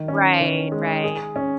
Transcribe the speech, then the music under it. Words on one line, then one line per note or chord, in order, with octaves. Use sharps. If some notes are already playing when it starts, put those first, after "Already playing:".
right. Right.
Already playing: D#3
C#4
D#3
G#3
G#4
C#4